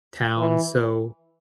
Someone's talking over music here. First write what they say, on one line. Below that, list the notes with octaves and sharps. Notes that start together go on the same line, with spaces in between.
town, so,
E3